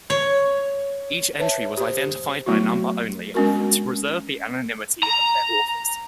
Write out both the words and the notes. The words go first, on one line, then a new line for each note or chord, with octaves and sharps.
Each entry was identified by number only, to preserve the anonymity of their authors.
C#5
B4 C#5 E5 A5
G4 C5
F#3 A3 B3 E4 F#4
G#3 B3 C#4 D4 F#4 A#4
A#5